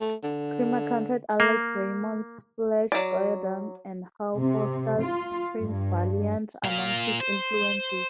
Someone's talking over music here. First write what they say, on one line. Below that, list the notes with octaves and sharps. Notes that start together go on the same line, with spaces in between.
Kremer counted Alex Raymond's "Flash Gordon" and Hal Foster's "Prince Valiant" among his influences.
A3
D3
A#3
F#3 D5
C3
F4
G2
A#2 F5
C5